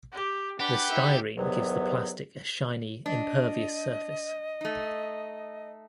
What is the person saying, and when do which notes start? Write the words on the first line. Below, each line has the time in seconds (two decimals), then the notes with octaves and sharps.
The styrene gives the plastic a shiny, impervious surface.
0.12 G4
0.60 D4 G4 B4 F#5 B5
0.89 D#4 E5
1.37 E2 G2 C3 D#3 F#3 B3
3.06 D4 D#5
4.61 A3 D#4